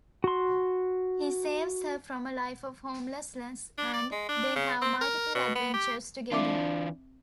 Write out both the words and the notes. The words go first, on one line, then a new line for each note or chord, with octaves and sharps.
He saves her from a life of homelessness and they have multiple adventures together.
F#4 C6
D4
D5
G#3
D4
C#3
C4
A#4
B2
B3
G4
E3 C4 D4 F4 E5 D6